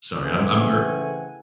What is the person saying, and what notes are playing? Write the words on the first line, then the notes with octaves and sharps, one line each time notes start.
Sorry, I'm I'm ear
C#3 E3 A3 C4 F#5 G#5